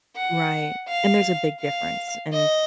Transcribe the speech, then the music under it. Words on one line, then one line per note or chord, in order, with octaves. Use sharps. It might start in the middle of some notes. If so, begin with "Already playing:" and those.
Right, and there's a big difference, and
F#5
F5
F5
D#5